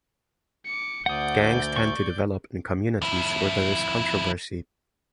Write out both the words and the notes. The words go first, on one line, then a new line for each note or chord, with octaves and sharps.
Gangs tend to develop in communities where there is controversy.
D6 C#7
D2 D5 F#5 D#6 G6
C#6
F2 E4